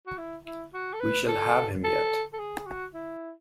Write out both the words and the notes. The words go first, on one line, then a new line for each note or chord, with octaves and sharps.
We shall have him yet!
F#4
E4
E4
F#4
A4
B4
A4
A4
A4
G#4
G#4
F#4
E4